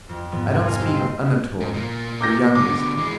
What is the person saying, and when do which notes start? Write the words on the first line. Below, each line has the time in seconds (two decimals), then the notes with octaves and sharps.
I don't speak of Anatole, your youngest.
0.09 F2
0.32 G#2 F3 B3
0.52 C2 G#6
0.65 D#4 D#5 F5 G#5
0.78 C4 E4 G4 C5 F5
0.94 G1 D#5 E5 G5 C7
1.60 G#2
1.74 A#2 A#3
2.21 D6 G6 A#6
2.55 B2 D3 D6
2.98 E3 G#3